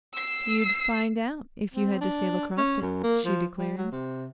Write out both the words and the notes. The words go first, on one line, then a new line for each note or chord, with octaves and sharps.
"You'd find out, if you had to sail across it," she declared.
E6 C7
C4
D4
C#4
F#2
A#3
F3
G3
F#3
C3